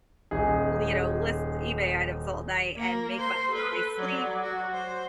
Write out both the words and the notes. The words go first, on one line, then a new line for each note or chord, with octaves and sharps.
li know, list eBay items all night and make money while I sleep,
D#1 D#4 G#4
A#3 A#4
C5 C6
A4 B4
F#3 D5
F#4
C5